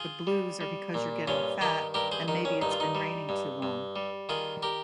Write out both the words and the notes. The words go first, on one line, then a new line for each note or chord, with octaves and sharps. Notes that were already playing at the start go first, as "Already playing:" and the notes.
The blues are because you're getting fat, and maybe it's been raining too long.
Already playing: F4 G#4
G3
G3
A#2
G2 C#4 F4
D#3 D#4 G4
G2 G4 A#4
G#4 C5
D#3 D#4
C#4
G2 D#4
F4
D#4
G3
G2
G2
G3
D#3 F4 G#4
G4 A#4